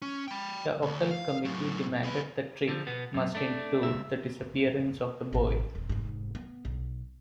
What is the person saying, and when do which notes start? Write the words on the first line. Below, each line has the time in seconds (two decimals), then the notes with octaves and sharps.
The Occult Committee demanded the trick must include the disappearance of the boy.
0.02 C#4
0.28 G5 B5
0.82 D2
1.11 F5
1.45 F#2 A2
2.04 G#4 B4
2.69 D3 F3
2.87 B2 B3
3.14 F#2 B2
3.35 A3 D4
3.83 C#2 E5
5.33 A1 C3
5.75 D#1
5.89 F1 G#2
6.35 B3
6.65 B1